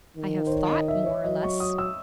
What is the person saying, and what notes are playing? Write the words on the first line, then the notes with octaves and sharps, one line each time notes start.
'I have thought more or less.'
D#3
C5
C#5
D#5
E5
C#5
F#3 D#5
C#6
D#6
E6